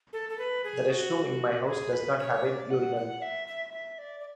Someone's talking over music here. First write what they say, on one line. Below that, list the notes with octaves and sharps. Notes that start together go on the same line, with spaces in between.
The restroom in my house does not have a urinal.
A4
A4
B4
G#4
F#4
G#4
B4
C#5
D5
F#5
F#5
E5
E5
E5
D5
D5